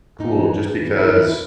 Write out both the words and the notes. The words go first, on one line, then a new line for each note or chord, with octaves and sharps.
cool just because
A2 D#4
E3
A2
E3
G#2 E4
D#4
E3 E4
E4